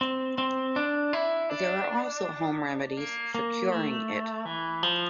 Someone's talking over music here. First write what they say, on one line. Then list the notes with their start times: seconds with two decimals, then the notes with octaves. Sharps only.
There are also home remedies for "curing" it.
0.01 C4
0.38 C4
0.76 D4
1.13 E4
1.50 D4
2.97 A#3
3.35 A#3
3.72 A3
4.45 E3
4.83 F3